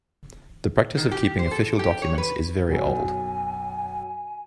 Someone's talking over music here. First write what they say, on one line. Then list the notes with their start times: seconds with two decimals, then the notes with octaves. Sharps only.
The practice of keeping official documents is very old.
0.97 D#3
1.11 G4
1.39 C5
1.51 A4
1.79 G4
2.02 C#5
2.18 B4
2.68 B1 F#2 G#5